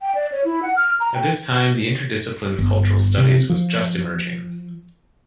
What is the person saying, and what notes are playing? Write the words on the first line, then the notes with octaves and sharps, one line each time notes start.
At this time, the interdiscipline of cultural studies was just emerging.
G5
D5
C#5
E4
F#5
F6
A#5
G5
G1
C3
F3